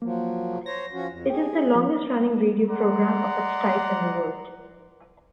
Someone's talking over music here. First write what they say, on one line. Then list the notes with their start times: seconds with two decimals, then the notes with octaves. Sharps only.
It is the longest-running radio program of its type in the world.
0.02 F3 F#3 A#3
0.66 C5 C#5 A#6
0.93 F3 C#4 F#4
1.10 F2
1.30 G4 G#4
1.75 F3
2.69 D5 D#5 F#5 A#5 C6 D6